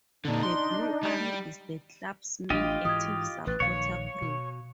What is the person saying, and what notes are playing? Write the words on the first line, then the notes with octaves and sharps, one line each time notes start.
The Blue Army is the club's main active supporter group.
A#2 D3 D4 D#4
C6
G3
A1 D4 F4 G4 D#5
G#2 E3 D#6 G#6
A1 B4 F#6 A6
A#1 D#3 C#5 F5 C#6
B2